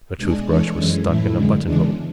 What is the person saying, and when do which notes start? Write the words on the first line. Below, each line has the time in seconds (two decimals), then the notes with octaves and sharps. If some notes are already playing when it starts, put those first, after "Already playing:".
A toothbrush was stuck in a buttonhole.
0.17 B2 G#3 D4 G#4
0.46 E3 G#3 D4 A4 C#5
0.75 F#2 E3 G#3 C#4
1.05 A2 E3 A3 E4
1.34 F#2 D3 G#3
1.64 E2 C#3 E3 G#3 D4